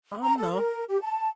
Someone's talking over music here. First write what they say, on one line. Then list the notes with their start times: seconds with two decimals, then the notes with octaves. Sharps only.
Um, no,
0.23 A#5
0.37 A4
0.52 A#4
0.88 G4
1.01 A5